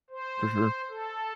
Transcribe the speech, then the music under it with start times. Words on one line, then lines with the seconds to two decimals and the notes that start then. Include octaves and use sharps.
For sure.
0.10 C5
0.90 A4